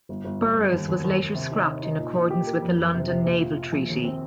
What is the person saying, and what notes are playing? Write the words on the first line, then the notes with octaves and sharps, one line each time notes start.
"Burrows" was later scrapped in accordance with the London Naval Treaty.
G1
G1
G1
G1
D#2
D#2
D#2
D#2
C3
D#4
D#4
D#4
A#2
A#2
G4
A#3
F2
F2
C3
C3
A#1
F4
F4
A#1
D#2
C4